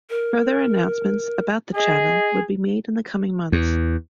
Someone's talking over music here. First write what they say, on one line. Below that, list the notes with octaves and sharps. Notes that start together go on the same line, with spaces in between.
Further announcements about the channel would be made in the coming months.
A#4
G#4 D#5
E2